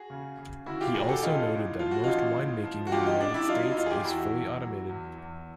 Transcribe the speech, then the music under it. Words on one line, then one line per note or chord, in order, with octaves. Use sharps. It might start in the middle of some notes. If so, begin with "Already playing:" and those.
He also noted that most winemaking in the United States is fully automated.
Already playing: F#4 G#4
C#3
C#3
D2 E4 F#4
F4 G4
E1 F#4 G#4
G4 A4
A1 D#4 F4
A2
F3 F4
F#4
A1 D#4 F4
A2
F3
F#4
A1 F4 G4
D#4
A1 D4
D4 E4
F#3 D#4 F4
D#4
E4
E2 D#4 F4
G#4
F4 G4
E2 E4 F#4
E2
F#3
E2
E2